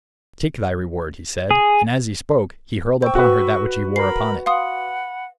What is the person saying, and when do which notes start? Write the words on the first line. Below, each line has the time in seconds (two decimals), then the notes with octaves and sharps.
"Take thy reward!" he said, and as he spoke he hurled upon her that which he wore upon it.
1.51 G#4
3.02 C5 G5 C#6 E6
3.15 F#4 B4
3.96 A#4 B5 C7
4.46 F5 F#5 B5 C6 D#6